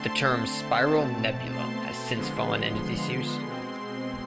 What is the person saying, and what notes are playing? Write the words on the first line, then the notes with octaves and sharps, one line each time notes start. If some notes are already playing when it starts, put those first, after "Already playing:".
The term "spiral nebula" has since fallen into disuse.
Already playing: D3 A3 C4 A5 C6
B2 A3 C4 A5
C6
D3 F3 G#3 B3
C6
B2 G#3 C4